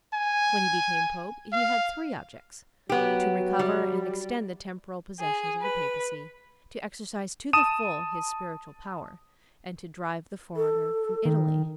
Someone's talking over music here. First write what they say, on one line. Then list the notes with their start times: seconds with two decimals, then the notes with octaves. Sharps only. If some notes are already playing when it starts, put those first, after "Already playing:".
When he became pope, he had three objects: to recover and extend the temporal possessions of the papacy, to exercise to the full his spiritual power, and to drive the foreigner from Italy.
0.14 G#5
1.53 F5
2.89 F#3 B3 G4
3.59 G3
5.19 G#4
5.62 B4
7.53 A5 D#6 D#7 E7
10.56 A4
11.25 D#3